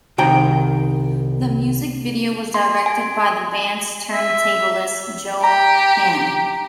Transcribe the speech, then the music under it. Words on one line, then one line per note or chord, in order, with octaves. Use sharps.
The music video was directed by the band's turntablist, Joe Hahn.
C2 D#3 G5 A#5
C6
G#5
E5
G4 A#5